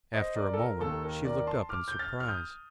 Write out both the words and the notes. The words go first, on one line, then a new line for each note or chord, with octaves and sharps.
After a moment she looked up in surprise.
C5 D#5
A#4 D5
A4
A#4
D#2 D#3 A#3 A4
A#4
A#4 D5
A5 C6
D6 F6
G6
F6 A6
F6
D#6 G6